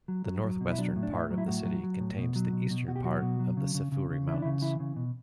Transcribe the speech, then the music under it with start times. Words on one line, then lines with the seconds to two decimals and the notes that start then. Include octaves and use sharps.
The northwestern part of the city contains the eastern part of the Sefuri Mountains.
0.08 F#3
0.26 F#3
0.44 F#3
0.61 B2
0.70 E4
0.78 F#3 D4
0.96 A2
1.03 D4
1.13 A2 E4
1.31 F#3
1.38 E4
1.47 A2 F#4
1.65 F#3
1.83 F#3
2.00 A2
2.18 B2
2.36 F#3
2.53 B2
2.70 B2
2.88 B2 F#4
2.96 G4
3.05 F#3 F#4
3.22 B2
3.40 F#3
3.57 C#3
3.75 C#3
3.92 C#3
4.10 C#3
4.27 E3 E4
4.34 D4
4.42 E4
4.45 C#3
4.61 E3 E4
4.80 C#3
4.96 B2